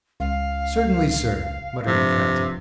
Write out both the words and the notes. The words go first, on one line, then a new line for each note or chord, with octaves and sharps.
"Certainly, sir," muttered the captain.
C#2 F5
G2 C3 F3